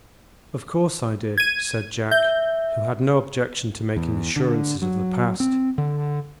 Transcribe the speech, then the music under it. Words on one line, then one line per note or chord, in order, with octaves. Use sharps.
"Of course I did," said Jack, who had no objection to making assurances of the past.
G#6 D#7
E5 G6
E2
D3
F#3
C4
D3